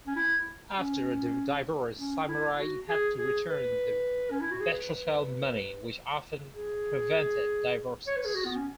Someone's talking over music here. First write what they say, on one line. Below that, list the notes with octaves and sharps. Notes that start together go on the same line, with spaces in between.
After a divorce samurai had to return the betrothal money, which often prevented divorces.
C#4
E4
C#4
C#4
E4
F#4
G#4
G#4
B4
C#4
E4
F#4
G#4
B4
G#4
C#5
B4
G#4
F#4
B3
C#4